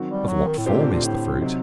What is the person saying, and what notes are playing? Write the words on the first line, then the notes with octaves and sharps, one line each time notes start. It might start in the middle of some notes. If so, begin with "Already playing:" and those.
Of what form is the fruit?
Already playing: D#3 F#3 C4 F#4
G3
F#3
D#3
A2
A#2 D3 A3 C4 G4 C5
A#2
A2
C3 F#3 C4 D#4